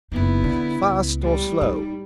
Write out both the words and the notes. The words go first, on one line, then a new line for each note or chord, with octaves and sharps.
"Fast or slow?"
F#1 B3 D#4 E4
D3
C#2
A2 G3
D#4